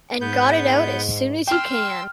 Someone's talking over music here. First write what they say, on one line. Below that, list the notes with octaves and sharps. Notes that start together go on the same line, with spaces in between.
And got it out as soon as you can.
G#2 B3 G6
G5 C6 E6 F6